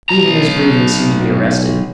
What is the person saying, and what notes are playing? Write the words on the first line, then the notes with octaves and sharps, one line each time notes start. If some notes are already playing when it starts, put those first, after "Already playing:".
Even his breathing seemed to be arrested.
B1 A#5